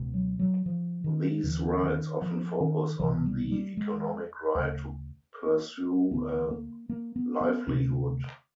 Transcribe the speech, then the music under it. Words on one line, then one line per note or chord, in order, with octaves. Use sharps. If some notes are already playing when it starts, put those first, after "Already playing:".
These rights often focus on the economic right to pursue a livelihood.
Already playing: C#2 B2
F#3
F#3
F3
D#3
D#2 D3 E3
D#3
F3
D#3
C2 B2 E3
G3
G3
G#3
D2 C#3
D2 D3 B3
A#3
A#3
B3
B3
D2 C3 C4